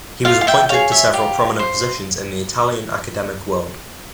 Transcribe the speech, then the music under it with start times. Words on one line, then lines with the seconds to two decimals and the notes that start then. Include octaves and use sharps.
He was appointed to several prominent positions in the Italian academic world.
0.25 F4 F5
0.41 F5
0.47 E5 G5
0.69 G#4 C#5 F5
0.92 E5
1.14 G4 F5
1.59 C5